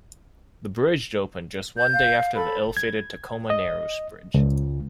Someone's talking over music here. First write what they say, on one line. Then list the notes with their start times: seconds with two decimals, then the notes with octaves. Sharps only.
The bridge opened just one day after the ill-fated Tacoma Narrows Bridge.
1.77 G6
1.93 F5
2.35 A4 B5
2.77 G#6
3.50 D#5
4.34 C#2